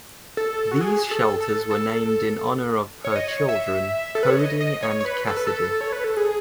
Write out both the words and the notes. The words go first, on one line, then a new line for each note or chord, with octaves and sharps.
These shelters were named in honor of her children, Cody and Cassidy.
A4
F#4
G#4
A4
A4
A4
C#5
D#5
C#5
E5
A4
B4
C#5
D#5
D#5
C#5
C#5
B4
A4
B4
A4
C#5
B4
A4
G#4